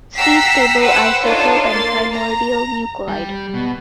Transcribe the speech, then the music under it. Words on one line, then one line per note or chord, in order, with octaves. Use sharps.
See stable isotope and primordial nuclide.
F#5 G5 A#5 E6 B6 C7
B4 C5 F#5 G5 E6
D4 D#4 F4 A4 C5 C#5
A#3 C6 A6
A#5
G3
B2